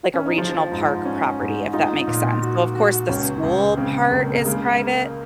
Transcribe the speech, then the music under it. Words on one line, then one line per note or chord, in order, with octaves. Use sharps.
like, a regional park property, if that makes sense. So, of course, the school part is private,
C#4
D#4
F3 F4
G#2
C#4
G#2
D#4 F4
A#2
F#4
F#4
C#2 C#4
C#2
C#3 C4
C#2 A#3
A#3
C#3 G#3
A#3